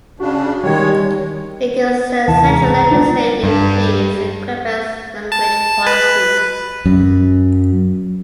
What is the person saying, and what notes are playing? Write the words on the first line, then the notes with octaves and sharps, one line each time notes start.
It is the central legislative piece in Quebec's language policy.
C#3 D4 F#4
D#3 G3 G#3 C#5
D#2 C3 E3 A5
G#3 A#5
F#1 C2 C4
D2 G3 G#3 D4 F4 D5
G2
A5
B4
F#2